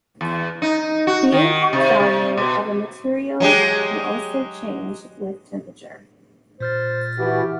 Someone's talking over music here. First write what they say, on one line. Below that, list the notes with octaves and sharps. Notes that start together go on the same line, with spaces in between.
The impact value of a material can also change with temperature.
E2
D#4
F#4
D#3
C3
C3
B2
F#3 G#3 G4
A#2 C5 F6 A6
E3 F#4 G4